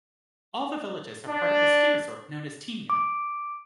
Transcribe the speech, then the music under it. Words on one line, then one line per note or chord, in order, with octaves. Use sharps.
All the villages are part of the ski resort known as Tignes.
D4
D6